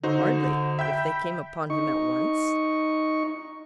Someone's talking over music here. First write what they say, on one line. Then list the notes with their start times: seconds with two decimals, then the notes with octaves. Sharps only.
Hardly, if they came upon him at once.
0.03 D3 D#4 F#4 C5
0.79 E5 G5 B5 G6
1.70 D#4 C#6